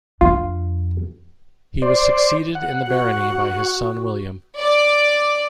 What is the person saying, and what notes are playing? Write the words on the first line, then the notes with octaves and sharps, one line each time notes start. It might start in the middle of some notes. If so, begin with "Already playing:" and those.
He was succeeded in the barony by his son William.
F2 D4 F4
C5 D5
F#5
F#4
D5